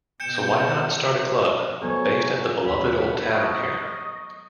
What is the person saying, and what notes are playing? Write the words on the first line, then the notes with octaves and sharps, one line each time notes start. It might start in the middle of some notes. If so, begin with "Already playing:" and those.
So why not start a club, based at the beloved old tavern here.
B2 G5 G6 C#7 E7
F#3 B3 A4 C5 C#5 G#5 A#5
D#2 C#5 B5
D#5 A#5 C#6